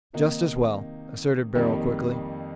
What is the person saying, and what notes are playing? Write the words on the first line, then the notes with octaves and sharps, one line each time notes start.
"Just as well," asserted Beryl, quickly.
C3 D#3 A#3 D#4
F2 D#3 G3 A#3 D#4